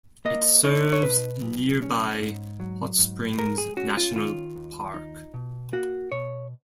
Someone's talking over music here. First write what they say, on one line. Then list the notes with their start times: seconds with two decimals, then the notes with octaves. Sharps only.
It serves nearby Hot Springs National Park.
0.25 A#3 D#5
0.64 D#4 C#5
0.93 C#5
1.03 B2 B4
1.42 B1
1.82 C#4
2.21 G#2
2.60 F#3
2.98 G#2
3.38 G#3 A#4
3.58 G#4
3.77 C#4 F#4
3.97 F4
4.16 D#3 F4
4.56 D#2
4.94 D#4
5.34 B2
5.73 A#3 F#4
6.12 B2 C#5